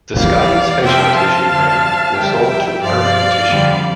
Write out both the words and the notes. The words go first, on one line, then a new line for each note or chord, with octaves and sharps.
The "Scotties" facial tissue brand was sold to Irving Tissue.
F2 E3 G3 D5 F5
F2 C3 F3 E5 G5
F5 A5
F2 D3 F3
F2 D3 G3 E5 G5
G2 F3 D5 F5
F2 D3 G3